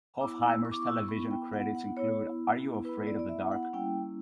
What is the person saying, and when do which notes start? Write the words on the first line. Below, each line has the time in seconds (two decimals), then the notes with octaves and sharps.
Hofheimer's television credits include Are You Afraid of the Dark?
0.21 B3 E4 D6
0.43 E6
0.65 C#6
0.71 D6
0.80 C#6
0.87 E6
1.08 B3 E4 C#6
1.31 G5
1.53 F#5
1.75 F#5
1.96 B3 E4 C#5
2.85 B3 E4 B4
3.07 D5
3.19 D5
3.29 E5
3.52 F#5
3.63 F#5
3.73 G3 A#3 C#4 E4 G5